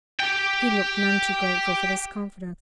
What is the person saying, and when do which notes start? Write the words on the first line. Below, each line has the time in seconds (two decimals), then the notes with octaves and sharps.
He looked none too grateful for this confidence.
0.20 G4 G5